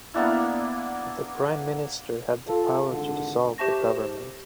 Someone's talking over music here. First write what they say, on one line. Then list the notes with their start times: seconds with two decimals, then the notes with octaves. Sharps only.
The Prime Minister had the power to dissolve the government.
0.14 A#3 B3 D4 E4
2.46 F4 A4
2.89 G#1 D3
3.58 G4 C5 E5 A5 C#6 A#6